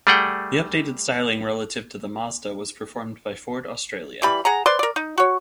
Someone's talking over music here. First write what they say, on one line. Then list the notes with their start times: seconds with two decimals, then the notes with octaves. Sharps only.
The updated styling relative to the Mazda was performed by Ford Australia.
0.07 G3 A3 G#4 F#5 G5
4.22 E3 G3 B5
4.45 G#4 F#5 A#5
4.66 B4 C5 D5 C6
4.79 A#4 D5
4.96 D#4
5.18 F#4 C#5